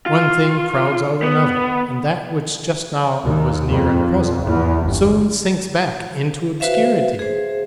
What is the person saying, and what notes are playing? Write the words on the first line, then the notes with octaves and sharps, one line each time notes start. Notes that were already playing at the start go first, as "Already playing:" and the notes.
One thing crowds out another, and that which just now was near and present soon sinks back into obscurity.
F4
B3
D#2
F2
E2
G1
F#4 B4 C5 E5 F5
G#4 C5